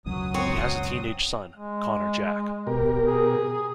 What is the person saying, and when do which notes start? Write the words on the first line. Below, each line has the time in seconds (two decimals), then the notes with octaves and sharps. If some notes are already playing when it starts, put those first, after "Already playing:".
He has a teenage son, Conor Jack.
0.06 E1 C#2 F#2 F#3 D#6
0.34 C4 C#5
1.57 G#3
2.67 B2 G4 A#4
3.06 G#4